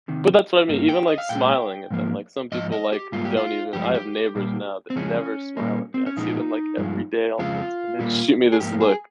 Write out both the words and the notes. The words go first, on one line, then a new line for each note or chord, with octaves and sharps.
But that's what I mean, even, like, smiling at them, like, some people, like, don't even I have neighbors now that never smile at me, I see them, like, every day almost, and they just shoot me this look.
C3 D#3
G2 G3 A#3
G5
D#5
F5
A#2 G#3 G5
G#2 F3 A#3
G#2 F3 D#5
D#5
G4
G#2 G3 A#3 F4
G4
F4
G2 F3 G#3 G4
F4
G4
A#2 G3 A#3
C4
F2 C#3 F3 G#3 C#4
A#2 G3 A#3
C4
C#4
A#2 F3 G#3 D#4
G2 F3 G#3
F2 C#3 F3 G#3 F4
A#2 G3 A#3
G#4
G#2 F3 A#3 G4
G#4